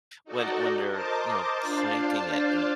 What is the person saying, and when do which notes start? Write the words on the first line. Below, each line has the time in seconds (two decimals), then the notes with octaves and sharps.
when when they're, you know, pointing it, and
0.24 D#4 F#4 A4 D5 D#5
0.88 A#4 C5 D#5 A5 D6
1.60 D4 F4 C5 D5 F5 A5